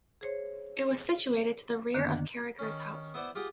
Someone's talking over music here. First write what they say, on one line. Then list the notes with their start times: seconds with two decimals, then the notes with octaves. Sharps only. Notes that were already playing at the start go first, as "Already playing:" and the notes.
It was situated to the rear of Carragher's house.
0.21 G#4 C5 C#5
1.94 F#2 D3 D#3 A#3 B3 D4
2.59 D#3 C#4
3.14 B3 E4 C5 D5 F#5
3.35 F4 G4 G#4 F#5 D6